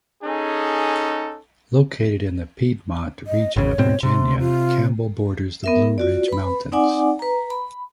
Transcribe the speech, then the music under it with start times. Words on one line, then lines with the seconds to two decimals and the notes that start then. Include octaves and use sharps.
Located in the Piedmont region of Virginia, Campbell borders the Blue Ridge Mountains.
0.23 C#4 D#4 G#4 A4
3.27 D#5
3.56 G#1 C#3 C#5
3.78 G#2 B2 C4
4.03 C3 C6
4.39 F4
5.64 B3 A#4 E5
5.98 F4 F#4 D5
6.28 B4 B5
6.72 C4 D#4 D5 F#5 G#5 D6
7.19 B4 A#5
7.50 B5